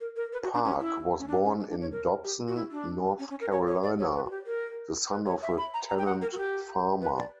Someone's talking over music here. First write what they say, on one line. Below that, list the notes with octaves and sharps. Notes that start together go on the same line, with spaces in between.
Park was born in Dobson, North Carolina, the son of a tenant farmer.
A#4
A#4
B4
F#4
D4
C#4
E4
C#4
D4
C#4
D4
D4
C#5
A#4
G4
F#4
E4
D4
C#4
C#4
A#4
C#5
C#5
D5
C#5
B4
F#4
G4
A#4
B4
C#5
E5
B5
A#5
A#5
G5
F#5
A#4
F#4
G4
B4
D5